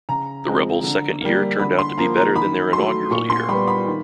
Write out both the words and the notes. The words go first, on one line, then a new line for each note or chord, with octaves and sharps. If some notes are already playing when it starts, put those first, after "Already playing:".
The Rebels' second year turned out to be better than their inaugural year.
C#3 A#5
F3 G#3 C4
D3
G3 A#3
D3 B5
C6
F3 A#3 A#5
A#5
D#3 B5
F#3 A3 C6
A#2 C#6
C6
G3 B3 B5
B5
D#3